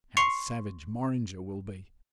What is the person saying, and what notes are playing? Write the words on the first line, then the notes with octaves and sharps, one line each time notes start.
How savage Morringer will be!
C6 C#6 C7 C#7 F7